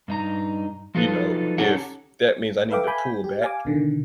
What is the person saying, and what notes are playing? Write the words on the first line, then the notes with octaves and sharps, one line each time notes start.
you know, if that means I need to pull back
G2 D#4 A#5
F3 F#3 D#4 F4 A4 B4
C#4 D#4 G4 A4 C#5 F#5
A4 B4 E5 F5 G5 D6
G#5 B5 G6
G4
F5 G#5 D6
B2 D3 D#3